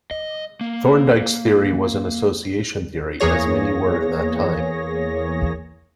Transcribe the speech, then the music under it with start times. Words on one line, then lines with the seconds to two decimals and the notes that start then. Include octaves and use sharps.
Thorndike's theory was an association theory, as many were in that time.
0.11 D#5
0.61 A#3
3.20 E2 E3 A#3 G#4 C#5 A#6